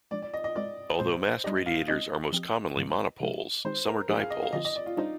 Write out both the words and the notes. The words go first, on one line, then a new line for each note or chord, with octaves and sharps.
Although mast radiators are most commonly monopoles, some are dipoles.
F3 G#3 D4 D5
D5
D#5
D#5
G#3 C4 F4 A#4 D5
A#2 G#3 C4 C5
G3 D4 G4 D5 D#5
F5
G#3 C4 D#4 A#4 D#5
F3 C4 G4
G#2 D#3 G3 A#3
C3 F3 G#3 D#4 A#4
D#3 G#3 C4 D#4 G4 C5
A#4
F3 A#3 D4 G#4
F5
D#5
F5
D3 F3 C4 F4 D#5
D#5
D5
F4
G3 D4 D#4 G4 C5 D#5